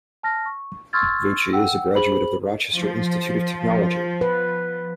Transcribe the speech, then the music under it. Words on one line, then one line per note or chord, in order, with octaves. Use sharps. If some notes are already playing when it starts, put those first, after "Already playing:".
Vucci is a graduate of the Rochester Institute of Technology.
A5 F6 A#6
C#6
C6 C#6 E6 F6 G#6 A6
F#5 G5 E6
G#4 C5 B5 F#7
F3
B4